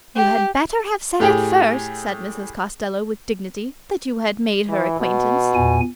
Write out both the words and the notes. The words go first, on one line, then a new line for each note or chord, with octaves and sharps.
"You had better have said at first," said Mrs. Costello with dignity, "that you had made her acquaintance."
G4
A2 G4 G#4
E3
B2
E2 A#2 G#5